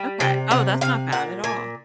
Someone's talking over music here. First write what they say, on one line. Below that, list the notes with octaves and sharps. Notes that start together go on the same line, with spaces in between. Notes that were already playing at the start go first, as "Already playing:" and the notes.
Okay, oh, that's not bad at all.
Already playing: G3
C3 G5
C3 F#5
C3 F5
A#2 F#5
A#2 G#5